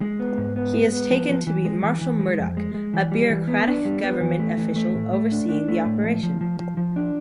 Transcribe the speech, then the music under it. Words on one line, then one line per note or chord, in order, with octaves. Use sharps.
He is taken to meet Marshall Murdock, a bureaucratic government official overseeing the operation.
G#3
B3
G#2
B3
G#3
B3
F3
F3
E3
G#3
E3
E3
G#3
F2
G#3
G#3
E3
G3
E3
B3
D4
G3
B3
E3
A3
E3
A3
A2
A3
D4
D4
A3
A2
F3
F3
F3
F3
F3
D4